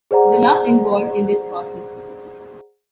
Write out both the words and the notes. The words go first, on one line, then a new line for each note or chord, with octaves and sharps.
The love involved in this process.
G#4 C5 D5 F#5 A#5